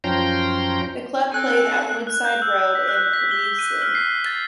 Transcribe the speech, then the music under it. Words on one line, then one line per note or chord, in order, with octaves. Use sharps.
The club played at Woodside Road in Leavesden.
F#2 F3 C#4 G5 A#5 C6
C4 A4 G#5 F#6
F#6
G6
E6
B6
F#6
B6
G7
D#7
F6
C7
A6